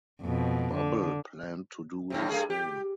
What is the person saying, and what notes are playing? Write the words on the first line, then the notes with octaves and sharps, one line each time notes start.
Bubble planned to do the same.
F2 B2
D3
F#2 A2 C3
G2 A3 G#4
G4